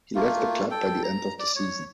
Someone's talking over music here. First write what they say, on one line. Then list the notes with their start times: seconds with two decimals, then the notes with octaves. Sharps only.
He left the club by the end of the season.
0.15 A3 A#3 F4
0.71 A4 G5
1.03 A#5
1.39 D5
1.56 C#5